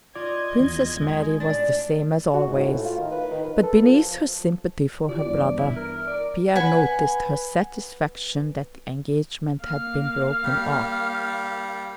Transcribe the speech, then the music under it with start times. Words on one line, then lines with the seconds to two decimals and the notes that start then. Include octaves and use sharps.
Princess Mary was the same as always, but beneath her sympathy for her brother, Pierre noticed her satisfaction that the engagement had been broken off.
0.16 F4 D5 D#5 G#6
0.60 E2
1.01 G#3
1.40 A2 D4 A6
2.33 F#4
2.47 G#2
2.62 A2
2.85 F4
2.98 D#3
3.11 B4
3.31 D#3
3.44 B4
3.63 A4
3.83 F3
5.09 E4 F4 G4 D5
5.25 G2 E3 B3
5.58 E4
5.76 A#4
6.07 D5
6.56 B4 F#5 G#5
9.62 A#3 F5 F6
10.44 G3